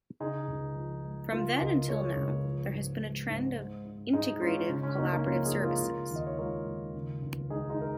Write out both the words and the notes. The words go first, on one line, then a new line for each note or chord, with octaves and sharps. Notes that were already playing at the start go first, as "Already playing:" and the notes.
From then until now, there has been a trend of integrative collaborative services.
C#3 D#4 G#4
C#2
F3
G#3
C#3 F4 A#4
C#2 A#4 D#5
G#3 G#4 C#5
C#2
F3
G#2
G#3
G#2
G#3
G#2
G#2 D#4 G#4
G#3 C#4 F4
C#3 C#4
C#4
C#2 A#3 D#4
A#3 D#4
F3 C#4 F4
D#4 G#4
G#3
F4 A#4
C#3
D#2
D#5
C#5
G#3 F4 A#4
D#2
C#3
C#2
G#3 D#4 G#4
D#4 G#4
A#4